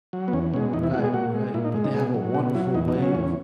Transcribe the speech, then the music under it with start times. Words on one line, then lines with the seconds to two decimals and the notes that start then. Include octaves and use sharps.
Right, right. But they have a wonderful way of
0.13 F#3
0.28 B3
0.33 E2 C#4
0.54 B2 G#3 C#4
0.73 E2 D#4
0.83 E4
0.94 B2 F#4
0.98 G#3
1.04 G#4
1.14 A#2 F#4
1.34 G#3
1.54 A#2 E4
1.64 D#4
1.74 G#3
1.84 D#4
1.94 B2 G#4
2.15 F#3
2.34 B2 F#4
2.55 F#3 E4
2.74 E2 D#4
2.88 D#4
2.95 C#3 F#3
3.02 C#4
3.15 E2